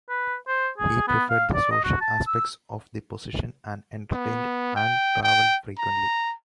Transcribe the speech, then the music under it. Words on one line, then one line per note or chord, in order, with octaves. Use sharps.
He preferred the social aspects of the position and entertained and travelled frequently.
B4
C5
G#4
B3
F5
D5
D#5
F#4
A5
E6
B3
G5
G5
A#5